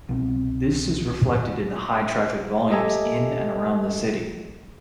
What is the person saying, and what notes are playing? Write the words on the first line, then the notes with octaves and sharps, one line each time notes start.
This is reflected in the high traffic volumes in and around the city.
C2 B2 F#3 C4
G4 A4 D#5 E5 G#5 A#5